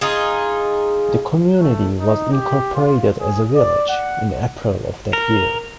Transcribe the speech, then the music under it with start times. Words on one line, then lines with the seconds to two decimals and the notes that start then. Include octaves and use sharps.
The community was incorporated as a village in April of that year.
0.01 D#4 F4 G#4
1.61 A3
2.00 D#4
2.33 G4
2.75 F4
3.21 G#4
3.56 D5
3.89 F#5
5.13 A#4